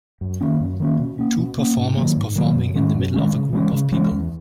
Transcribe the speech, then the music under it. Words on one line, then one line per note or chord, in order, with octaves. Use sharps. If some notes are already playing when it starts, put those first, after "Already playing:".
Two performers performing in the middle of a group of people.
F#2
D#3 A#3 C#4
F#2
D#3 A#3 C#4
B2
A#3 C#4
B2
A#3 C#4
G#2
D#3 F#3 A#3
G#2
D#3 F#3 A#3
F#2
D#3 G#3 C#4
F#2
D#3 G#3 C#4
C#3
E3 G#3 C#4
C#3
E3 G#3 C#4
E2